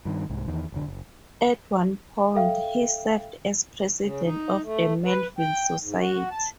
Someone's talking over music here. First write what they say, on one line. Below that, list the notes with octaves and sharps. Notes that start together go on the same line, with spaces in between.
At one point, he served as president of the Melville Society.
G2 D#3
C2 G#2
E2 D#3
F1 D2 D3
F#1
A4 E5 F5 G5
C#3
D#4
A3
B4
G5
G#2
F#4
A5